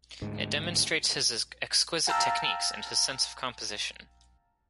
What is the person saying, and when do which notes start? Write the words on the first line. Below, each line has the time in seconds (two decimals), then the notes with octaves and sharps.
It demonstrates his exquisite techniques, and his sense of composition.
0.21 D2 G#2 G#3
2.07 F5 G5 A5 A#5 E6